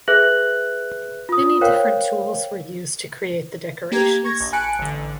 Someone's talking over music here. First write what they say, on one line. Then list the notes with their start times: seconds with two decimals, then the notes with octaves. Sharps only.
Many different tools were used to create the decorations.
0.08 G#4 B4 E5 F#6 A#6 F#7
1.29 F4 D#6
1.61 A#4 C5 C#5 F5 G5
3.92 A#3 G4 A#5 G#6
4.24 C#6 G#6 A#6
4.40 A#1
4.53 G#5 A5 B5 F#6 C#7 D7
4.79 A1 D3